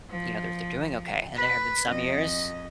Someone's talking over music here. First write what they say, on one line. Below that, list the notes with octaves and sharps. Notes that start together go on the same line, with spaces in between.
you know, they're they're doing okay and there have been some years
F3
B4
F2 D#5